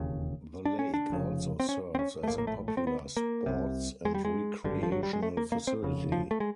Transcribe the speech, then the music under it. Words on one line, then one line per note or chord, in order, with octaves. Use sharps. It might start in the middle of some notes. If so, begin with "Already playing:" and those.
The lake also serves as a popular sports and recreational facility.
Already playing: E1 D#2 C#3
D4
C#4
D4
F1 F2 C#3
C4
C#4
C4
C#4
A3
A#1 A2 A#3
A#3
A3
A3
C4
B3
A#3
C2 C3
G#3
G3
G#3
G#1 G2 D3
F3
F#3
G3
G#3
A3
A#3
A#3
C4
F1 F2 C#3
F3
A3
G#3